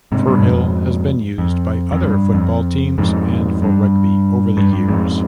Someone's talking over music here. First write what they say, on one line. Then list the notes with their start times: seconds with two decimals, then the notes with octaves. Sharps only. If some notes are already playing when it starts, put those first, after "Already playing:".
Firhill has been used by other football teams and for rugby over the years.
0.12 G#2 C3
0.27 G2 B2
0.43 F2 G#2
1.38 F2
1.92 F2
2.03 G2
2.34 F2
2.98 F2 G#2
3.62 G2
4.57 G2
4.73 G2
4.89 F2 G#2